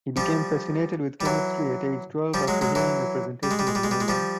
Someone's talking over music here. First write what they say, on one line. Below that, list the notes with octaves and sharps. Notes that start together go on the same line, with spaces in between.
He became fascinated with chemistry at age twelve, after hearing a presentation on nylon.
F3 G3
G3
E3 F#3
F3 G3
F#3 G#3
F#3 G#3
E3 F#3
G3
G#3
G3
G#3
G3
G#3
G3
G#3
F3 G3